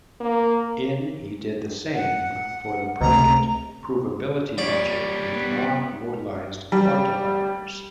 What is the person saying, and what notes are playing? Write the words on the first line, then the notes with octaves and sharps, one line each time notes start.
In he did the same for the predicate provability logic with non-modalized quantifiers.
A#3
F#5
C#2 C3 A3 A#5
G3 C#5 D5
B3
G3